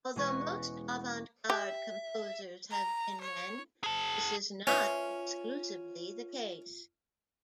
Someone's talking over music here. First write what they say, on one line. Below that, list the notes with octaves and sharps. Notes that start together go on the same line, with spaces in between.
Although most avant-garde composers have been men, this is not exclusively the case.
E1 G#3 C#4 B4 C#6 A#6
G4 E5
A#5
C#5
G#4 A5
C#4 F4 B4 E5